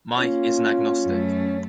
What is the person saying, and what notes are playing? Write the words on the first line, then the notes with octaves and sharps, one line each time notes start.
Mike is an agnostic.
A#3 C#4 F4
F#2 A3